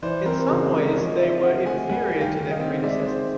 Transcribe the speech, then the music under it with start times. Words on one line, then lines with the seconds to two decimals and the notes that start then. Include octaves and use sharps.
In some ways they were inferior to their predecessors.
0.02 E3 C5 D5
0.26 C4 A#4 C5
0.49 C#3 F#4 G#4
0.72 G#3 G#4 A#4
0.89 D5
0.96 F3 C#5 D#5
1.19 C4 D5 E5
1.42 D3 E5 F#5
1.66 A3 F#5 G#5
1.89 G3 F#5 G#5
2.13 D#3
2.21 F5 G5
2.36 D#3
2.51 D#5 F5
2.60 C4
2.83 G#3 D5 E5
3.06 D#3 C5 D5